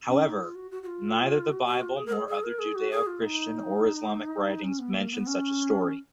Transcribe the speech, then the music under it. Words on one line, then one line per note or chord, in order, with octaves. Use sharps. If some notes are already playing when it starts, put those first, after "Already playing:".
However, neither the Bible nor other Judeo-Christian or Islamic writings mention such a story.
C#4
D#4
F4
F#4
F#4
F#4
F4
F#4
F#4
F4
G#4
A#4
G#4
G#4
A#4
G#4
F#4
G#4
F4
D#4
C#4
B3
A#3
B3
C#4